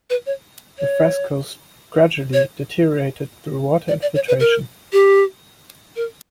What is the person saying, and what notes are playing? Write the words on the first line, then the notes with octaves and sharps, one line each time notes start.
The frescoes gradually deteriorated through water infiltration.
B4
C#5
C#5
C#5
D5
D5
C#5
B4
A#4
G4
A#4